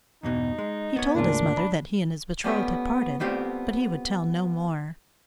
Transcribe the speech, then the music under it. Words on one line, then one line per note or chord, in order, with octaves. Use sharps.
He told his mother that he and his betrothed had parted; but he would tell no more.
E2 G2 B2 D#4
G#3
B3 C#5
D2 G#2 C#3 A#3 D4 F4
B5
G3 A3 B3 C#4 F4 G4
G3 A3 B3 C4 F4 G4